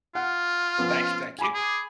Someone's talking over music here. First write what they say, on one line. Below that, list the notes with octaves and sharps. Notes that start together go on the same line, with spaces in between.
Thank you, thank you.
F4 F#5
F3 B3 C#4
G#5 B5 D6
G#4